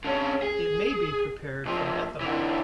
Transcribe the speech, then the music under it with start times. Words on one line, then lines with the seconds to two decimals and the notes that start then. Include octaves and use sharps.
It may be prepared from ethanol.
0.05 D3 C#4
0.42 G#4
1.65 B1 F3
2.21 D3 E3